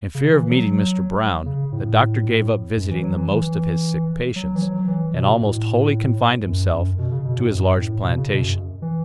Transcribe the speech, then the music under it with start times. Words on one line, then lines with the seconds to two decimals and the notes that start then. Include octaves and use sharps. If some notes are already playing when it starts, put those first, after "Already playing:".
In fear of meeting Mr. Brown, the doctor gave up visiting the most of his sick patients, and almost wholly confined himself to his large plantation.
0.15 C#3
0.32 E3
0.49 F#3
1.46 C#3
1.72 A2
2.77 F#2
2.91 E3
3.03 F#3
3.17 E3
3.31 E3
4.36 F#3
4.56 E3
4.62 F#3
4.88 E3
5.14 B2
5.41 A2
6.46 F#2
6.72 F#2
6.99 B2
7.12 C#3
7.25 B2
7.39 A2
7.51 F#2
7.77 A2
8.04 B2
8.17 C#3
8.30 B2
8.43 F#2
8.82 E3